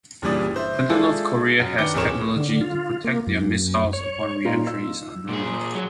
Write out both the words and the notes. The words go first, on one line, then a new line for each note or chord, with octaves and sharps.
Whether North Korea has technology to protect their missiles upon re-entry is unknown.
F#1 A#2 E3 G3 D4 D#6
C5 E5
G#3 D4 E4 F4 G#4 A4
F#2
D#3 D4 B4 D6 C#7 G7
D1 F2 G#4 A#4 C#5 E7
D3
F4
A#3
F#2
C#5
A#2 D#4 F4
E6
A#2 G#4
F#3